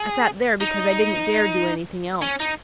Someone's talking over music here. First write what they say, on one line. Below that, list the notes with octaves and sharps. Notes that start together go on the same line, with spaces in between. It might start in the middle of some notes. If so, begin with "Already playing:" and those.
I sat there because I didn't dare do anything else.
Already playing: G#4
D#4
C#4
D#4